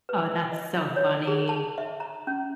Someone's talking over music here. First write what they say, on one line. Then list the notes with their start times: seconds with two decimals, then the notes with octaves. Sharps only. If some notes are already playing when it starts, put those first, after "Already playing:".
Oh, that's so funny.
0.09 B4
0.52 D#5
0.96 C#5
1.28 G#4
1.49 A5
1.78 E5
2.00 A#5
2.27 C#4